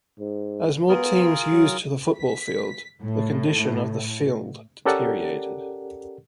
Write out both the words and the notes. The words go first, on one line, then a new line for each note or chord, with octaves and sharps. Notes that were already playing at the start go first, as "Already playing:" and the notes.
As more teams used the football field, the condition of the field deteriorated.
G#2
B3 F4 G#4 A#4
F#3
B6
A2
C#4 G4 A4 A#4 D5 F#5